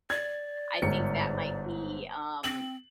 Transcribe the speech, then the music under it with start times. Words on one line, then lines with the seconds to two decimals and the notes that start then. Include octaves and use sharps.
I think that might be, um,
0.10 D5 G#6
0.82 G1 G#2 C#7
2.44 C4 F#7